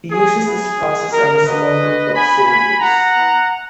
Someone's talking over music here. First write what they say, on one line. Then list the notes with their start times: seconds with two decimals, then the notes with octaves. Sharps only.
He uses this process on his small group of soldiers.
0.10 A#3 C#4 F#4 G#4
0.44 B3 E4 G#4
0.77 G#3 C#4 E4
1.11 B3 D#4 F#4 A#4
1.45 A#3 C#4 F#4 B4 D#5
1.79 G#3 B3 F#4
2.12 B3 F#4 G#5 B5
2.46 A#3 C#4 F#4 G#5 B5
2.80 A#3 E4 F#5 A#5
3.15 B3 E4